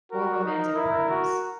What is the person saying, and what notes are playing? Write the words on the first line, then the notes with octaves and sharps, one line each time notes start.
or romantic partners.
F#4 A#4
D#4 A#4
E4 A#4
F#4